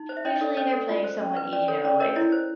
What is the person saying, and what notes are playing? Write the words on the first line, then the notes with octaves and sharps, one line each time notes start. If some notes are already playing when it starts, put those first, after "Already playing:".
usually, they're playing someone, y you know, like,
Already playing: D#4
C5
E5
C#4 C#5 D#5
D#5
A4 D5
C#4 C#5 D#5
A4
F4 D5
C5
C#4
B4
C#4 D5
A4 C#5
C#4 D5
A#4 C#5 D#5
E4 C#5 D#5
C5